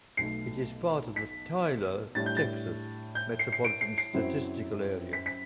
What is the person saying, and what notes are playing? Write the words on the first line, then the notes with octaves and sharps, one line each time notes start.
It is part of the Tyler, Texas Metropolitan Statistical Area.
B1 B2 A3 C7
B6
A2 G3 D4 A6
G6
A6
G6
C7
C7
D7
C7
C7
F#2 F#3 C4 E4
B6
B6